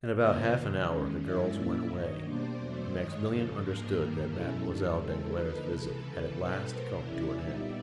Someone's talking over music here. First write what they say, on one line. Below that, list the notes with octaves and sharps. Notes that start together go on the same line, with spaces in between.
In about half an hour the girls went away, and Maximilian understood that Mademoiselle Danglars' visit had at last come to an end.
F#2 C#3 F3 A#3 A#4 C5
F2 C3 D#3
D#3 G#3 C#4
G2 D#3 G#3 C#4 E4 D5 E5
A#2 F#3 A#3 C#4 E4 D5 E5
G2 D#3 F#3 C#5 D#5
B2 G3 A#3 D4 C5 D5
E2 B2 F#3 A3 C5 D5
G2 D#3 G#3 C#5 D#5
F#2 C#3 F3 A4
G#2 F3 A#3 D4 A#4
G2 D#3 G3 A#3
B2 G#3 C#4 E4 A4
G2 D#3 G3
C#3 E3 G#3 C4 A4
D3 F3 A#3 D#4 A4 B4
C3 E3 G#3 A4 B4
C#3 E3 G3
B2 G3 C4 D#4
B2 F#3 A3 A#4 C5
C3 E3 G#3 C#4 E4 D5 E5
A#2 G3 B3 D#4